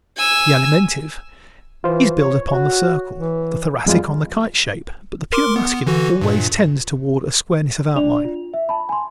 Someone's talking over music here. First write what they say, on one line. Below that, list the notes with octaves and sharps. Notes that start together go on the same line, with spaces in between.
The Alimentive is built upon the circle, the Thoracic on the kite-shape but the pure Muscular always tends toward a squareness of outline.
G#5 E6
E3 F4 C5
C#5
F#4 C#5
E3
F2 G3 G#3 F4
A#4 C6 D6
B3
D3 E3 F#4
G2 A#2
D4 D5 F7
F4
E5
A5 B5
G#5 C6